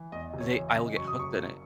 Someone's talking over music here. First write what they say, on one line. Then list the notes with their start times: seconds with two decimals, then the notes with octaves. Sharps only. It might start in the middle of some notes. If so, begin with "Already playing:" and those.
they I will get hooked in it,
Already playing: E3
0.12 E2 D#5
0.34 F#1
0.41 C#5
0.55 E3
0.69 D#5
0.75 C#3
0.96 F#2 C#6
1.07 D#6
1.17 F#1 C#6
1.38 F#1